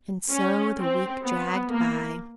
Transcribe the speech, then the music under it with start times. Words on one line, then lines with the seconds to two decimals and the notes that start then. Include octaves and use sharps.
And so the week dragged by....
0.30 C#4
0.77 C4
1.24 B3
1.70 A#3